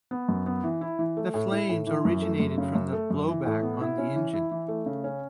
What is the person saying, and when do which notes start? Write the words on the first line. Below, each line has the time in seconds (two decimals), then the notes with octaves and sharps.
The flames originated from the blowback on the engine.
0.11 B3
0.28 F#2
0.46 B3
0.64 E3
0.81 E4
0.99 E3
1.17 A3
1.34 A2
1.51 E4
1.69 A2
1.87 E3
2.05 F#2
2.22 A3
2.40 F#2
2.58 C#3
2.75 F#2
2.92 A3
3.10 F#2
3.28 E3
3.45 A2
3.63 B3
3.81 E4
3.98 C#4
4.16 E3
4.33 E4
4.51 E3
4.68 A3
4.86 C#3
5.04 C#4